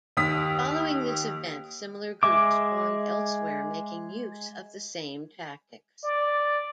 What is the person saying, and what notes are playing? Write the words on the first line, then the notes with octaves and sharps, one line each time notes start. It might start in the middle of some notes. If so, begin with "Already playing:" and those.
Following this event, similar groups formed elsewhere making use of the same tactics.
D#2 D#6 B6
G#3 E5 D6
D5